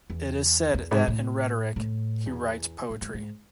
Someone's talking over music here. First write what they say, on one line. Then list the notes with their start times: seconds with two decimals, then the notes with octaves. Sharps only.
It is said that in rhetoric, he writes poetry.
0.10 E2
0.74 E2
0.91 G#2
1.08 A2
1.76 A2
2.26 E2
2.90 G#2
3.02 G#2
3.14 G#2